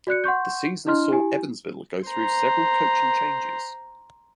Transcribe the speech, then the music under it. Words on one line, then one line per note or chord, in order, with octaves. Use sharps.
The season saw Evansville go through several coaching changes.
F#4 D5 F#6 C#7
F#5 C6 C#6 G6
D4 E4 D#5 C6 F6
E4 G4 G#5
C5 A#5